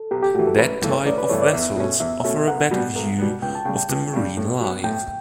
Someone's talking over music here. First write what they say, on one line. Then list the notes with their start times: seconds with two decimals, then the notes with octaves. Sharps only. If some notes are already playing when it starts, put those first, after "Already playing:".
That type of vessels offer a better view of the marine life.
Already playing: A4
0.11 B1 G4
0.22 G4
0.35 A2 E3 F#4
0.47 A4
0.58 A1 B4
0.82 G2 E3 A3
0.90 C#5
1.05 A1 D5
1.18 B4
1.29 G2 E3 A3 C#5
1.42 D5
1.53 E2 E5
1.76 B2 A3 C#4
2.00 E2 E5
2.24 B2 A3 C#4 E5
2.47 B1 F#5
2.71 B2 G3 B3
2.95 B1
3.18 B2 G3 B3
3.42 C#2 G5
3.55 A5
3.65 C#3 G3 G5
3.89 C#2
4.13 C#3 G3
4.37 A2
4.60 F#3 B3
4.84 A2 G5